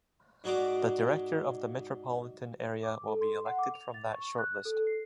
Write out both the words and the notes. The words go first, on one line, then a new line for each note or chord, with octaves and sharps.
The Director of the Metropolitan Area will be elected from that shortlist.
G#2 G#3 F#4 D5 A#5 D6
D6
A4
C6
F#5
D6
F7
A6
C#6
F#6
A4
C7